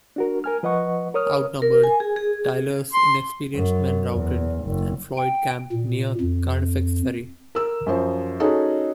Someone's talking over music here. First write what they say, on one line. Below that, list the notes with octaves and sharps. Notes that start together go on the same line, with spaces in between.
Outnumbered, Tyler's inexperienced men routed, and Floyd camped near Carnifex Ferry.
D4 F#4 A#4
A#4 G#5 F6
F3 B4 D#5 F#5 C#6
A#4 C#5 D#6 F6
A#4
G#5
G#4
G#4
G#4
C6
F#2
E2
F#1
G5
A#2
F2
A#4 E6
F#2 F3 C5
C#4 D#4 F#4 G#4 A4